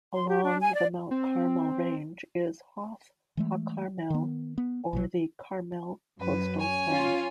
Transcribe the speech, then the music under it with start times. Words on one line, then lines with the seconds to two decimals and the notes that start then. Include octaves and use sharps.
Along the Mount Carmel range is Hof HaCarmel, or the Carmel Coastal Plain.
0.13 C6
0.28 G4
0.41 D4
0.61 G#5
0.74 D5
1.11 C4
3.37 E3 G#3 A3
4.10 D#3 B3
4.58 B3
4.93 A#1 B2 F#3
6.20 F#2 B4
6.60 C#5 G#5
6.90 C#4 F4